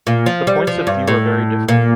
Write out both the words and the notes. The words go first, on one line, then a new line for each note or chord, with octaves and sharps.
The points of view are very different.
A#2
F3
G3
F3
G2
A2
A#2